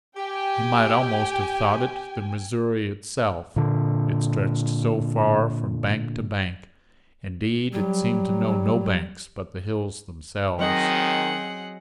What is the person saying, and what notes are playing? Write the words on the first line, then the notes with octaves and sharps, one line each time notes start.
He might almost have thought it the Missouri itself, it stretched so far from bank to bank; indeed, it seemed to know no banks but the hills themselves.
G4 G5 G#5
A#2 D3
F#3 G3
D#3 F#3 C4 G#4 D#5 F#5